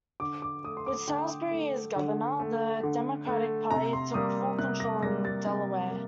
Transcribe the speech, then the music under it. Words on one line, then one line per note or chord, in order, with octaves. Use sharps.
With Saulsbury as governor, the Democratic Party took full control in Delaware.
D3 D6
D6
A3 D#6
C6
D6
D3 G5
A3
D3
A3
D3
A3
C3 A#5
C6
G3 A#3 D#6
C3 F#6
A#6
G3 A#3 A#6
A6
C3
A#3